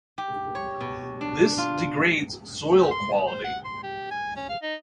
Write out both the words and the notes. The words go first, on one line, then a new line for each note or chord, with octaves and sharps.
This degrades soil quality.
G4
C#5
B2
D4
F4
G4
C6
B3
C5
F#5
C6
G4
G#5
C#4
F5
D#4